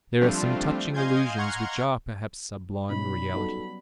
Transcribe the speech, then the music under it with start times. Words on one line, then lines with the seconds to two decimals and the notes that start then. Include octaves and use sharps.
There are some touching illusions which are, perhaps, sublime realities.
0.21 F3 G3 A3 C4 D4 F4
0.94 D#5 F5 G#5 C6 G6 G#6
1.38 F#5 A#5 C6 C#6 F6 G#6
2.90 B2 F#3 G3 C#4 D#4 B5
3.34 F#3 G3 B3 D#4 F#4 A4